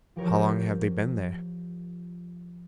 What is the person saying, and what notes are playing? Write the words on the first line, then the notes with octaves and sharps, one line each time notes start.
"How long have they been there?"
F3 G4 A#4 C#5